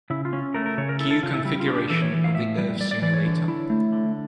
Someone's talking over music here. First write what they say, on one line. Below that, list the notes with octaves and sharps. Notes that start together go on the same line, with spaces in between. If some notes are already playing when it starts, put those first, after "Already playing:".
Queue configuration of the Earth Simulator.
C#3 E4
F4
C#4
A3 A#4
A#4
C#3 C#5
A#4
E4 A4
A4
C#3 F4
E4
G3 E4
F4
D4
G4
E3 A4
C#5
E3
F5
A2 E5
G3
G3 D5
D5
E3 D5
C#5
D3
E4
A3
D3